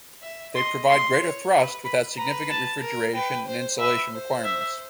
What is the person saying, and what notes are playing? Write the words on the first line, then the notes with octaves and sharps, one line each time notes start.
They provide greater thrust without significant refrigeration and insulation requirements.
E5
D#5 C6
C6
C#5
B4
B4 B5
B4 A#5
A5
A#4
B4 G5
C5
B4 E5
C5
E5